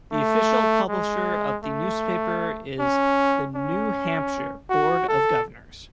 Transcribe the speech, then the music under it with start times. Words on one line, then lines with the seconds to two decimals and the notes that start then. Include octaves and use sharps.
The official publisher of the newspaper is "The New Hampshire" Board of Governors.
0.12 A3
0.89 G#3
1.64 A3
2.80 C#4
3.56 C#4
4.70 F#4
5.08 A4